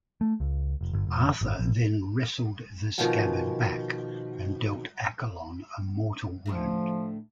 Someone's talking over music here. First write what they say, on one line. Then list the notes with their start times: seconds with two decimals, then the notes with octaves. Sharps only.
Arthur then wrestled the scabbard back and dealt Accolon a mortal wound.
0.21 A3
0.40 C#2
0.81 F1
0.93 G1
1.07 F1
1.41 G#1
1.59 A#1
2.98 B2 D#3 F3 F#5 G#5
6.46 D2 A2 F3 A3